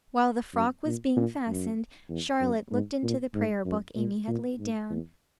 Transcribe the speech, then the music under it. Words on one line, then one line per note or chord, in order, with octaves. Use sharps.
While the frock was being fastened, Charlotte looked into the Prayer-book Amy had laid down.
F#2
A#2
A#2
F#2
E2
F#2
G#2
A#2
G#2
F#2
A#2
A#2
G#2
E2